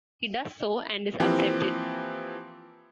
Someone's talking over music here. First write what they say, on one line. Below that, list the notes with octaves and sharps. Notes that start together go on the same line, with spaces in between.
He does so and is accepted.
E3 F3 A#3 C4 G4